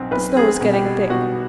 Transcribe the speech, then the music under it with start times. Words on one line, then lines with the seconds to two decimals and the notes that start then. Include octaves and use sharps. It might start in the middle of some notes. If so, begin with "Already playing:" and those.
The snow was getting thick.
Already playing: B1 B2 C4
0.11 B1 B4
0.36 C4 G#4
0.61 B2
0.73 G4
0.85 G3
1.10 B2 F#4